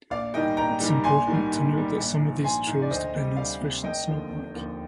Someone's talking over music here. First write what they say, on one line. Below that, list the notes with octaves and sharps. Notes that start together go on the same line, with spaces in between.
It is important to note that some of these trails depend on sufficient snowpack.
A#1 D5 F5
G#2 D#3 G3 D#5 G5
A#1 G5 A#5
G#2 D#3 G3
A#1 G#5 C6
G#2 D#3 G3
A#1
G#2 D#3 G3
A#1
G#2
F3
A#1 G#5 C6
G#2 F3
D5
D2 C5 D#5
C3 G3
D2 D5 F5
C3 G3
F1 D#5 G5
D#2 D3 F3
F1
D#2 D3 F3